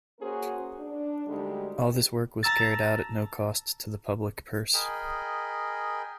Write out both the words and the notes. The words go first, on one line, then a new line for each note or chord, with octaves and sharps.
All this work was carried out at no cost to the public purse.
A#3 C#4 F#4 G#4 A#4 C5
D4
D2 G3 G#3 D#4 G4 A4
A5 A#5 E6 A6
G#4 A#4 D#5 G5 G#5 B5